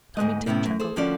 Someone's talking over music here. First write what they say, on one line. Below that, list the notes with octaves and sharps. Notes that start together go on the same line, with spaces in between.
Tommy Tit chuckled.
D2 G#2 D#3 B3 D#5
A2 C3 B3 C#4 E4
F#2
G#4 A4 C5
D#2 D3 F3 C#4 F#4 D5